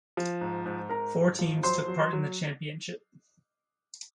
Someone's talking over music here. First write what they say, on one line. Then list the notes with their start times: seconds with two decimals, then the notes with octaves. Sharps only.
Four teams took part in the championship.
0.17 F3
0.41 G#2
0.66 G#2
0.89 G#2 A#4 A#5
1.14 G#2
1.39 F3
1.63 F#3 C5 C6
1.88 F#3
2.13 F#3